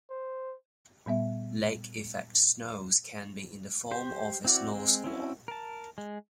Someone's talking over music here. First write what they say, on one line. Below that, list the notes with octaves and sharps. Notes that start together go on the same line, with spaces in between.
Lake effect snows can be in the form of a snow squall.
C5
A#2 G3 B3 E5
G4 C5
C4 E4 F#4 D5
G#3 C4
C4 C#4 E4 F#4
A#4 A5
G#3